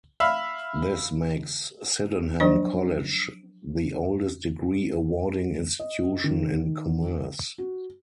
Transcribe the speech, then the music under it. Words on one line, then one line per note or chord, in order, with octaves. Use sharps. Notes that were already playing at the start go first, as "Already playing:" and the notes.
This makes Sydenham College the oldest degree-awarding institution in commerce.
E5 F5 B5
F3 F#3 D4 C5 D#5
D#5
D#3
F#4